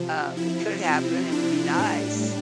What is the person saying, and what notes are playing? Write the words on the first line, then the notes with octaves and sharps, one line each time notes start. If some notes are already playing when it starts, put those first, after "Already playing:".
Um, it could happen, it would be nice.
Already playing: C3 F3
E4
C4
D4
A2 G3 D4